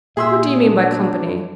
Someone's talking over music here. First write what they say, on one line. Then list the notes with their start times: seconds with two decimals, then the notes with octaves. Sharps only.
"What do you mean by company?"
0.17 A#2 G#4 E5 C6 E6
0.59 D4